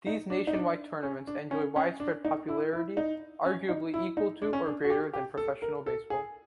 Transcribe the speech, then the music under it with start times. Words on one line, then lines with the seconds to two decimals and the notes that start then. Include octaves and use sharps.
These nationwide tournaments enjoy widespread popularity, arguably equal to or greater than professional baseball.
0.07 D#4
0.30 D4
0.47 D#4
0.54 D4
1.03 C#4
1.27 D4
1.51 C#4
1.76 C#4
2.00 D4
2.25 D#4
2.49 E4
2.73 E4
2.97 D#4
3.45 C#4
3.69 D#4
3.94 E4
4.17 D#4
4.42 D4
4.53 C#4
4.66 D4
4.84 F#4
4.90 G4
5.14 G4
5.38 A4
5.62 A#4
5.86 A4
6.10 G#4